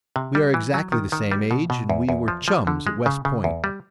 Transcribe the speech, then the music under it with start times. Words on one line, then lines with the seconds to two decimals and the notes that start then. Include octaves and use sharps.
We are exactly the same age, and we were chums at West Point.
0.16 C3
0.35 G3
0.54 E3
0.74 F#3
0.92 D#3
1.12 D#3
1.31 G3
1.51 B2
1.70 B2
1.90 E2
2.09 E2
2.28 F3
2.48 F3
2.67 D3
2.87 G#3
3.06 C#3
3.25 C#3
3.44 E2
3.64 G3